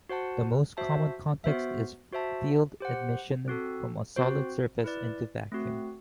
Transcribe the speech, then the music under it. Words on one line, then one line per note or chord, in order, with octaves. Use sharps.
The most common context is field emission from a solid surface into vacuum.
F#4 C5 F#5 A5
F#4 C5 E5 A5
B3 F#4 C5 E5
F#4 C5 E5 A5
G4 C5 F#5
C4 F#4 A4
C4 F#4 C5
E4 B4 D5
A3 C4 F#4